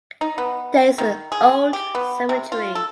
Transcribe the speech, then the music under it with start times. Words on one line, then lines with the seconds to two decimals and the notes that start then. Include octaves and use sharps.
There is an old cemetery.
0.21 D#4
0.38 B3
0.98 D#3
1.32 G#4
1.73 G4
1.95 B3
2.29 C3
2.52 F4
2.75 A4